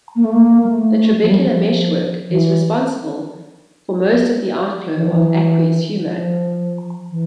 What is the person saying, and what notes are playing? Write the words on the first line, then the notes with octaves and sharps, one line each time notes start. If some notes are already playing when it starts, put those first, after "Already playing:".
The trabecular meshwork is responsible for most of the outflow of aqueous humor.
A#3
A3
A#3
G3
A3
F3
G3
F3
E3
E3
F3
E3
F3
E3